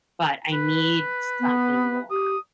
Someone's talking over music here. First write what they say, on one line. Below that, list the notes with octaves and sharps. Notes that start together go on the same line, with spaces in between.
but I need something more,
B4
B3
G4 D#6